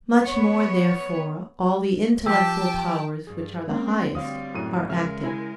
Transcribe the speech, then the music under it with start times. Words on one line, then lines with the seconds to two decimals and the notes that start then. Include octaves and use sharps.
Much more, therefore, all the intellectual powers, which are the highest, are active.
0.21 B3 C#5
2.26 F3 G4 G5 A5 E6
3.27 G2 G#4
3.68 G#3 A#3 C4 C#4
4.15 D2 G3 C4 C#5 F5 D#6
4.54 F#2 A2 D#7
4.89 C#3 G#3 A#4 E5 F6
5.24 E4 G#5